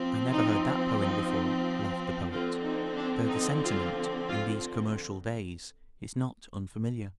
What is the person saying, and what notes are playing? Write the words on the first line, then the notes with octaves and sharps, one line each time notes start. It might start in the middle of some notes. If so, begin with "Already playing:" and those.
"I never heard that poem before," laughed the Poet, "though the sentiment in these commercial days is not unfamiliar."
Already playing: F3 C4
D#4
D#4
D3 F3 C4 F4
D#4
D4
D#4
F4
F4